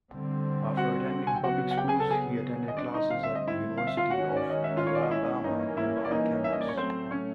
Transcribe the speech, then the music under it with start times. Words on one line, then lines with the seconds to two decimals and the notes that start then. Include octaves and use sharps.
After attending public schools, he attended classes at the University of Alabama, Mobile campus.
0.11 D3 G3 C4
0.77 F#4 F#5
1.27 G#5
1.36 G5
1.43 C#3 F#3 B3 F#4 F#5
1.71 F#5
1.77 G4 G5
1.88 G#4 G#5
2.00 A4 A5
2.10 G#4 G#5
2.68 D#5
2.77 D3 G3 C4 D4 D5
2.94 D#4 D#5
3.10 F5
3.23 E5
3.35 D#5
3.47 E4 E5
3.77 F5
3.87 E5
3.97 F4 F5
4.10 D#3 G#3 C#4 F#4 F#5
4.37 D5
4.50 D#5
4.64 E5
4.77 F4 F5
4.87 C#5
4.95 D5
5.03 D#5
5.11 E4 E5
5.44 E3 G3 A#3 C#4 D#4 D#5
5.77 E4 E5
6.05 D5
6.11 D#4 D#5
6.44 E5
6.53 D#5
6.61 D5
6.69 C#5
6.77 A2 F#3 A3 C4 C5
7.11 C#4 C#5